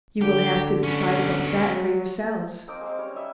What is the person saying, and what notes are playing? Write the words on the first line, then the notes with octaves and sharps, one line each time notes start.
You will have to decide about that for yourselves.
D3 G4
B3 C#4
F#3
A#3 C4 D#4 D6
G#3 A#3 C4
G3 C#4 C#5
G4 D#5 E5